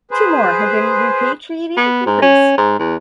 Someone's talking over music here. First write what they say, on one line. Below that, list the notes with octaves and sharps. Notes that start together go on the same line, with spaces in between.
Two more have been repatriated from Greece.
G#4 B4 C5
B3
G#2
C#4
G#2
E2